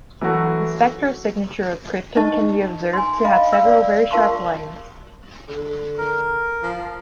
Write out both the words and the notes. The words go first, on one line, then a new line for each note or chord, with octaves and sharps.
The spectral signature of krypton can be observed to have several very sharp lines.
E3 F#3 A3 F#4 A4
D#4 D#5 A5 C#6
G#5 C6
D#5 F5 B5
F5 E6
D5
F4 A#4 F5 A5 C6 C#6
D3
A#4
F3